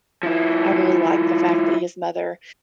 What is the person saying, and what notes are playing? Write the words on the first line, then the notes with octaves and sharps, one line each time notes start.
I really liked the fact that his mother
F3 E4